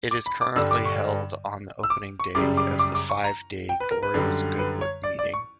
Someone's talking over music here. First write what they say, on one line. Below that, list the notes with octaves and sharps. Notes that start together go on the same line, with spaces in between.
It is currently held on the opening day of the five-day Glorious Goodwood meeting.
D6
B5
D6
G2 D3 G3 E6
D6
C#6
E6
D6
C#6
F#2 C#3 G3 D6
D6
D6
D6
C#6
A#5
G5
B4
A#4
B4
F#2 D3 G3
B4
C#5
D5
D5
C#6